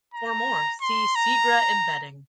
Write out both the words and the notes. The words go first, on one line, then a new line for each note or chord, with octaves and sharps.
For more see Segre embedding.
A#5
C6
A#5